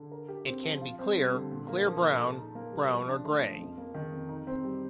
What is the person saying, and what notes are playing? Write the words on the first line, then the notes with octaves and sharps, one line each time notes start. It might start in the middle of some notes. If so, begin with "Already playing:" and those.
It can be clear, clear brown, brown or gray.
Already playing: D3
A#4
G4
C4
F3
F4
C4
G3
D3
A#2
A#3
F3
A#2
A4
D#4
A#3
G3
F3
D4
A3
F3
F2
A#3
D#3
F2
D#4
C4
G3